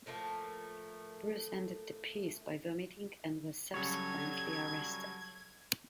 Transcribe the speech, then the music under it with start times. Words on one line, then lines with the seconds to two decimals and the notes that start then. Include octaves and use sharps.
Brus ended the piece by vomiting and was subsequently arrested.
0.06 A2 F3 A3 A#3
3.74 C#3 F#3 G3 A4 C#5 G#6